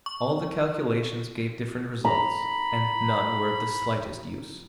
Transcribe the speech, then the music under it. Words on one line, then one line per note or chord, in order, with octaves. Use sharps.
All the calculations gave different results, and none were of the slightest use.
C#6
A#5 B5